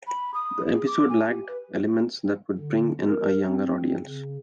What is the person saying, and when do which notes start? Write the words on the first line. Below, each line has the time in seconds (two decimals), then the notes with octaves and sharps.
The episode lacked elements that would bring in a younger audience.
0.07 B5
0.34 D#6
0.71 G#4
0.87 D6
1.09 G#5
1.29 G4
1.47 B4
2.58 D3
3.08 A#4
3.45 C4
4.04 C#3